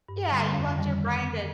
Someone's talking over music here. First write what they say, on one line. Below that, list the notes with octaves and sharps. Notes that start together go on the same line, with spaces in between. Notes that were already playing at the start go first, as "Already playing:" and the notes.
Yeah, you want your brain to
G2
D3 G3
F2 F5
D#3 G3